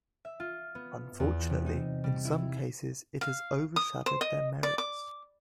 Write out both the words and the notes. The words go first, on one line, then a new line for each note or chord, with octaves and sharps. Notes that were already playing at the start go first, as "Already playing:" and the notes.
Unfortunately, in some cases it has overshadowed their merits.
E5
F4
B3
E2
C3
D#4
G3
E4
F5
D#6
C5
D#5
D5
D6